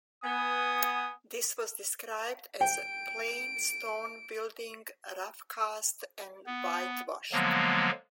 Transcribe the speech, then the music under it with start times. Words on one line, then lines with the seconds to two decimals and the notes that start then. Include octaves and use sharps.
This was described as "a plain stone building rough cast and whitewashed".
0.24 B3 G#5 D#6
2.61 G5 D7
6.46 B3
7.32 D3 F3 F#3 G#3 A#3 B3